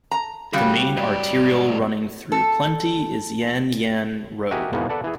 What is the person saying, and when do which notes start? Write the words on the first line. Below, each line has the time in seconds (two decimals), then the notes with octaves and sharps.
The main arterial running through Plenty is Yan Yean Road.
0.11 A#5
0.53 C#3 G3 F#4 G#4 F5
0.97 G#2 D5
2.32 A4
4.51 F#4 G4 A#4 D#5 E5 G#5
4.72 E2 G#2 B2 D#3 A#3 B3
4.89 A4 B4 D5 F#5 A5
5.04 E3 G#4